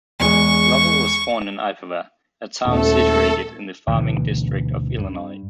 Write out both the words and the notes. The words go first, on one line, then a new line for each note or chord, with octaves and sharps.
Lovell was born in Ipava, a town situated in the farming district of Illinois.
E2 G#3 C#6
D#1 A3 A4
D2 B2 E3
G2